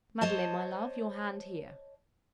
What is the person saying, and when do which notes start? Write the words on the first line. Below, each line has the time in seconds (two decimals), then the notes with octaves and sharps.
Madeline, my love, your hand here.'
0.21 C5 C#5 D#5 A5